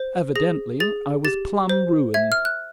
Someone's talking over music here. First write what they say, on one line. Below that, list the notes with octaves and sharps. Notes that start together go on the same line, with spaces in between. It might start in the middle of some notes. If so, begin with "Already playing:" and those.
Evidently I was plumb ruined.
Already playing: C5
G#4 A#6
G#4 A6
G4 A6
C5
E5 G#6
F6
F#6